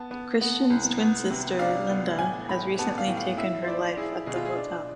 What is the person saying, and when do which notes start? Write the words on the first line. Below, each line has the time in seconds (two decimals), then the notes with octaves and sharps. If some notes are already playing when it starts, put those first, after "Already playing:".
Christian's twin sister, Linda, has recently taken her life at the hotel.
Already playing: B3 A5
0.11 B3
0.41 B3
0.70 C2
1.00 B3
1.30 C3
1.59 D4 F5
1.89 B3
2.18 A2 G#5
2.49 A2 B5
2.79 B3 A5
2.98 F5
3.08 A2
3.17 F5
3.37 E4 E5
3.63 C5
3.67 E4 D5
3.97 E4 G#4
4.26 B2 G#4
4.36 F4
4.45 G#4
4.56 D4